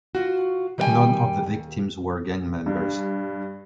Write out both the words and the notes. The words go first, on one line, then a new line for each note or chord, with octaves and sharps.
None of the victims were gang members.
F4 F#4
D#3 G3 B4 D#5 G5 G#5
D#2
G2